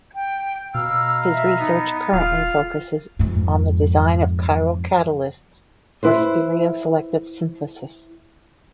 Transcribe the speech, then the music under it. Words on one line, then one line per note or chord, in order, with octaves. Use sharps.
His research currently focuses on the design of chiral catalysts for stereoselective synthesis.
G5
B2 B4 D#5 F5 A#5 E6
E5
B3 D#4
D#1 F4 F5
F2 G#2
E4 B4 C5